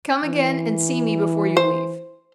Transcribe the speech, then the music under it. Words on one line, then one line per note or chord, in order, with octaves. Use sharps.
Come again and see me before you leave.
E3
C5